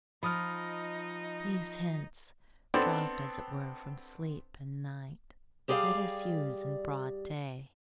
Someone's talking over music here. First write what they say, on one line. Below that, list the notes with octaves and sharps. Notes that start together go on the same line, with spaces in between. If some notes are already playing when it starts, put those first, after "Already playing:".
These hints, dropped as it were from sleep and night, let us use in broad day.
F3 D#4 D#5 B5 D#6 F6
B3 C4 D4 A4 C5
G3 G4 G#4 C#5 D5 F5